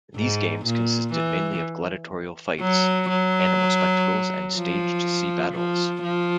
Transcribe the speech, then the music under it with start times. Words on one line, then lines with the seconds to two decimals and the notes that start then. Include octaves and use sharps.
These games consisted mainly of gladiatorial fights, animal spectacles and staged sea battles.
0.16 G#2
0.65 A#2
1.13 E3
2.61 F#3
3.09 F#3
4.56 F3
5.54 F3
6.03 F3